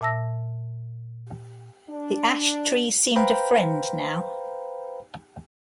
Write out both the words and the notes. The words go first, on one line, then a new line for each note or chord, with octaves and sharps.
The ash-tree seemed a friend now.
A#2 E5 A5 E6 A#6
D4
B4 C5 F5 G5 A#5 B5